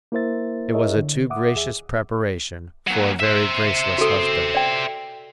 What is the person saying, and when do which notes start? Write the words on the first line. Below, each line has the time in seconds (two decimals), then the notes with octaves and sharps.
It was a too gracious preparation for a very graceless husband.
0.12 A#3 E4 A#4 C5 E5 A6
0.74 E4 G#4 A#4 C#5 D#5 E5
0.96 D3
1.30 E5 F#5 D6 D#6
1.55 D#2 G#4 E5
2.87 A#2 F#3
3.20 C5 E5
3.98 F#4 A4
4.55 D5 G5